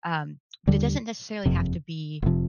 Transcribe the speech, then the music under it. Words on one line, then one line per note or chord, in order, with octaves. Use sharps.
um, but, it doesn't necessarily have to be,
D#2 D3 G3
F#1 F2 C3
F1 C3 F3